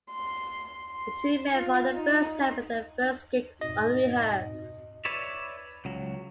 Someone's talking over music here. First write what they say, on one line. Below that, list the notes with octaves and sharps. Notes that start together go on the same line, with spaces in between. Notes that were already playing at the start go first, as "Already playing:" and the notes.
The two met for the first time at their first gig, unrehearsed.
C6
C6
F4
D#4
F2 G#2 B2 D#5
B4 C#5 D5 E5
C#2 F#3